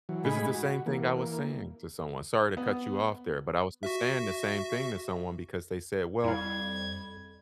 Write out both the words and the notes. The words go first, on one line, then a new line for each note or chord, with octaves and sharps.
This is the same thing I was saying to someone, sorry to cut you off there, but I was just saying the same thing to someone because they said, "Well,
E3 F#3
A2 G#3 D#4 G#5 B5
F#4
E3 A#3
B3
F#4 E5
F2 G3 E4 F5 G#6